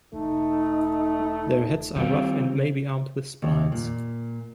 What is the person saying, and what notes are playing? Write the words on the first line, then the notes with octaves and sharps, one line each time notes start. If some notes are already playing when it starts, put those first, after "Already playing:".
Their heads are rough and may be armed with spines.
E1 A3 D#4
D#3 G3 C4 F4 F5
D#2
A#2